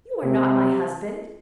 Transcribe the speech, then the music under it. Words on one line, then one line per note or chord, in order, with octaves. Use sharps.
'You are not my husband!'
C3